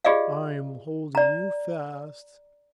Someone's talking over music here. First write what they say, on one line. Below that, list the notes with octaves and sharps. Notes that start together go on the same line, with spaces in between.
"I am holding you fast!"
F4 G4 G#4 D5 D#5 F5
D5 A#5